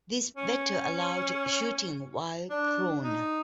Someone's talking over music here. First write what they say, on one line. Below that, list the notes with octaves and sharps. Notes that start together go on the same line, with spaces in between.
This better allowed shooting while prone.
C#4
D4
D#4